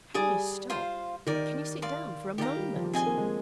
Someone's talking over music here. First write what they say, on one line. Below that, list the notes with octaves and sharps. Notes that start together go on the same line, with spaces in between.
'Can you stop--can you sit down for a moment?
G3 G#4 D5 G#5 D#6
F4 C5 F5
D#3 D#4 A#4 D5
D5 F5 C6
D#3 G4 D5 F5 A#5
G3
F3
C4 G#4 D#5 G#5
A#3
G#3